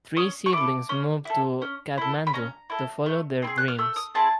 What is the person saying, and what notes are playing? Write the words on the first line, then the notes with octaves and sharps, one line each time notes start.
Three siblings move to Kathmandu to follow their dreams.
C#4 D#6
C#6
E4 A4 D6
C#4
E4 A4
C#4
E4 A4
B5
C#4 A#5
E4 A4
A3
C4 E4 G#4
F#6
F6
A3 E6
D#6
C4 E4 G#4 A5